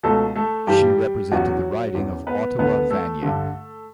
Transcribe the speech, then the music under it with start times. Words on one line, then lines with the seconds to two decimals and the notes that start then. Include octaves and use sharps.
She represented the riding of Ottawa-Vanier.
0.03 C#2 B2 A3 A4
0.36 A3 A4
0.67 G2 E3 G3 G4
1.31 E2 C#3 E3 F#3 F#4
1.94 E2 C#3 E3
2.27 B3 B4
2.59 D2 D3 B3 B4
2.90 A3 A4
3.23 G2 D3